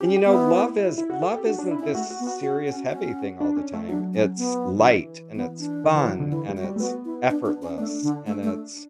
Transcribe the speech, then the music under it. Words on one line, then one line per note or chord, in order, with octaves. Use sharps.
And you know, love is love isn't this serious heavy thing all the time. It's light, and it's fun, and it's effortless, and it's
C#4 G4
G4
B3
E4
E4
F#4
A4
G4
D4 F#4
D4
E4
C#4
E4
A3 F#4
F#4
B3
F#4
C#4 F#4
C#4
C#4
D4
C#4
A3
F#3 D4
C#4
B3
D3
E3
B3
D4
D3
E3
F#3
D3
E3 E4
G3
F#4
G3
A3
B3 F#4
E4
D4
D4
C#4
A3 D4
D3
A3
A3